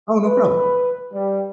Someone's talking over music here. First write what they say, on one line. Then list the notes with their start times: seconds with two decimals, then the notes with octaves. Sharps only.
Oh, no problem.
0.25 B4
1.13 G3